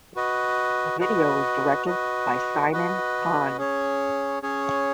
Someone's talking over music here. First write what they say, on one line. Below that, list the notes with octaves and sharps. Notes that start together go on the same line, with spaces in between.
The video was directed by Simon Cahn.
F#4 B4 D#5
F#4 B4 D#5
F#4 B4 D#5
F#4 B4 D#5
C#4 G#4 C#5
C#4 G#4 C#5